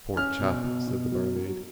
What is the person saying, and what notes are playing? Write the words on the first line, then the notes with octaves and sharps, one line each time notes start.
"Poor chap!" said the barmaid.
C#4 F6
B2
B2
B2
F#3
F#3